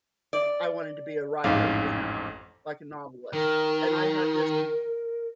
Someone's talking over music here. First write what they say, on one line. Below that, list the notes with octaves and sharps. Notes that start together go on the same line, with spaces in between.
I wanted to be a writer, you know, like a novelist, and I had this
D5
A1 F2 G#2 F5
D#3 A#4